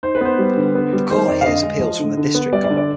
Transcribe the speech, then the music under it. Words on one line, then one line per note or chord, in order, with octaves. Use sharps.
The court hears appeals from the district court.
D#4 C5
B4
B3 C5
G3
D3
B3
G3
D#3 C5
F2 D5
F5
D3 D#5
G#3
F3
D3
D3
B3
G3 D5
D5
D3
D5